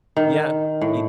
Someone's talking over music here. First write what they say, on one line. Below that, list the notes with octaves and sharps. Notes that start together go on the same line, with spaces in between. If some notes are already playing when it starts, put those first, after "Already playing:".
Yeah, you
D#3
A2